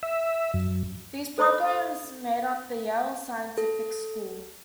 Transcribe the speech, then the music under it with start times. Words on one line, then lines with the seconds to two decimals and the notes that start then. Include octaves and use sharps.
These programs made up the Yale Scientific School.
0.03 E5
0.54 F#2
1.38 A4 C5 B5 C#6 D#6
3.58 A4